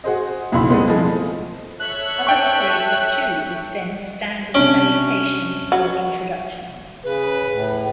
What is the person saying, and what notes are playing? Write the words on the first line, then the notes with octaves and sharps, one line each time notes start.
Other operators too would send standard salutations or introductions.
F#4 G#4 C5 D#5
B1 F2 C#3 E4 B5 C6
D#3 G3 G#3 B3 C4 D#4
E3 F3 A3 G#4 A4 D#5
A4 C#5 E5 F#6
G5 C#6
C3 C#4 D4 D7
F#3
C#3 B4
A2